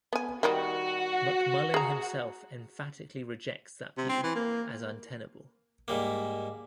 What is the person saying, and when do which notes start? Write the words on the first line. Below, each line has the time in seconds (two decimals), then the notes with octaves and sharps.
McMullin himself emphatically rejects that view as untenable.
0.13 B3 G#5
0.43 D#3 G3 F#4
1.74 G#4 A#5
3.98 C3
4.09 C4
4.23 E3
4.36 A#3
5.88 G#2 G3 A#3